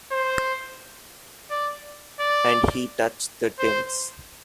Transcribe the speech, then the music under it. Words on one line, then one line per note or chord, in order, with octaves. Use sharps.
And he touched the tins.
C5
D5
D5
C5